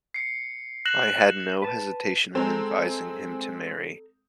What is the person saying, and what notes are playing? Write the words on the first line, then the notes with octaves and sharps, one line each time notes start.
I had no hesitation in advising him to marry.
C7 C#7
F#6 A#6 E7 F#7
B4 A5
G#3 C4 A4 A#5